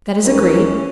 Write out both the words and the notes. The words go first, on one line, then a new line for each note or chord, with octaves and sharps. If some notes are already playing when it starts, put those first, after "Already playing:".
"That is agreed."
D#2 E3 C#4